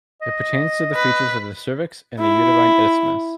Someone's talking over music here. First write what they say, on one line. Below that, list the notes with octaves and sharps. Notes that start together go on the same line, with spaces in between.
It pertains to the features of the cervix and the uterine isthmus.
D#5
B4
E4